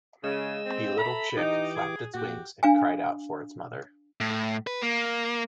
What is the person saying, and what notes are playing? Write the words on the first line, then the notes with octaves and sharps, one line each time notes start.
The little chick flapped its wings and cried out for its mother.
C#3 G#3 D#5 E6
C4
A4 E5 A#5 B5
E3 D#4 G4 D6
G#4
A#2 F#4 G4
D4 F5 G#5
A2
B4
A#3